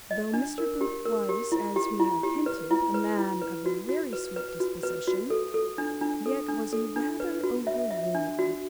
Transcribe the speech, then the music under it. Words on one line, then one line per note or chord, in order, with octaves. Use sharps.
Though Mr. Booth was, as we have hinted, a man of a very sweet disposition, yet was he rather overwarm.
D#5
D4
A#4
G4
A#4
G4
E4
G4
E4
G4
B4
E4
B4
E4
B4
F#4
F#4
B4
B4
F#4
B4
F#4
A4
A4
D4
D4
A4
D4
A4
D4
B4
F#4
E5
E5
D4
F#4